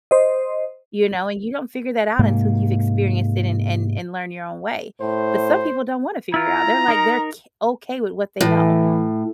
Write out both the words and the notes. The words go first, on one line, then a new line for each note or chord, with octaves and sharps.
you know? And you don't figure that out until you've experienced it and and and learn your own way. But some people don't wanna figure it out. They're, like, they're k okay with what they know,
C5 D#5
G#2 C3 A#3
A2 C5
E4 F4 A#5
D#4 A#4
A2 E3